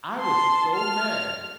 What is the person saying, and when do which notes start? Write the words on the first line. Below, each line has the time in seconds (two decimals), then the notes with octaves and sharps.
I was so mad.
0.19 A5 C6
0.74 F6